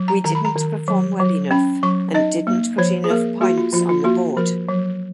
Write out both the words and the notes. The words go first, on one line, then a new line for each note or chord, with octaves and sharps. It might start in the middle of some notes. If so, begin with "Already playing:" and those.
We didn’t perform well enough and didn’t put enough points on the board.
Already playing: F#3
A#5
D#3 A#5
B5
A#5
D#3
F#3
F#3
C#4 B5
F#3 C#6
D#4 D#5
A#3
F3 C#5
G#4
A#3 A#4
A#3 F#4
F4
F3 F4
F4
A#3 F#4
F3 A#4
F#3